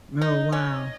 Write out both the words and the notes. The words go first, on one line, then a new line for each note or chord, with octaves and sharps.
Oh, wow.
D#4 D#5
C#4